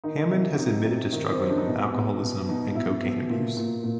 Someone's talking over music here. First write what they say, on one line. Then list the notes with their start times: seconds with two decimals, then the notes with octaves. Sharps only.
Hammond has admitted to struggling with alcoholism and cocaine abuse.
0.04 D#3 D#4
0.31 C3 E4
0.58 C3 D#4
0.85 C3
1.12 D#3
1.32 C4
1.40 C3 C#4
1.50 D4
1.58 D#4
1.66 B2 E4
1.94 B2
2.21 B2
2.49 B2 D#4
2.75 B2 E4
3.03 B2
3.30 A#2
3.57 A#2
3.84 A#2